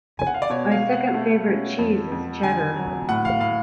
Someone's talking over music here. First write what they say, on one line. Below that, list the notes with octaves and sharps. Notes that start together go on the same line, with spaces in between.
My second favourite cheese is cheddar.
G#5
F#5
F5
D5
B2 C#5
F5
B2
F#5
A3
C#4
F2
F2
D3 G#5
F#3
A2 F#5
F5
A2 F5